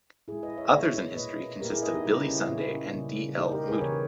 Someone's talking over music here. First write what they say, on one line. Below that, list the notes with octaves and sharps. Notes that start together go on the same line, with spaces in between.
Others in history consist of Billy Sunday and D. L. Moody.
A#2 G#3 E4 G#4
B4 D#5
C#5 E5
B2 G3 A#3 C#5 E5
A#2 A#3 B4 D#5
A#2 A#3 G4 A#4
E4 G#4
B4 D#5
D#4 G4
C#3 G3 A#3 D#4 G4
C#4 E4
A#2 A#3
C#3 G3 A#3
B2 G3 A#3 D#4 G4
G4 A#4
G#4 B4
C#3 E3 A#3 A#4 C#5